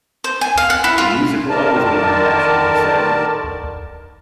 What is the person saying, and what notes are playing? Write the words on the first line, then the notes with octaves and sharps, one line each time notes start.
But music will always be my passion, he said.
C5
G#5
F5
F#5
E4
F4
D3 D#3 A#4 D5 A5